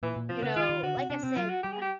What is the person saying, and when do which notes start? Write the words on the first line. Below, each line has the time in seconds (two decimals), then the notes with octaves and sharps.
you know, like I said, uh,
0.03 A#2 E3
0.16 A#2
0.29 C3 F3
0.43 C#3 B3
0.56 D#3 F4
0.69 D#3
0.83 D3 F#4
0.97 C3
1.10 C3 D4
1.23 C3 C4
1.37 F#3 F4
1.50 F#4
1.63 G3 G4
1.72 G#4
1.81 G4